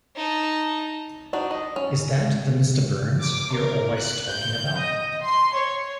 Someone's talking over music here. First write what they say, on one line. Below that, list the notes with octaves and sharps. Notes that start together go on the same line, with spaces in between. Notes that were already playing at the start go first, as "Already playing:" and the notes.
Is that the Mr. Burns you're always talking about?
D#4 A5
D4 D#4 F#4
D#5
C#4
D6
A#4
F#6
G6
D#5
C6
C#5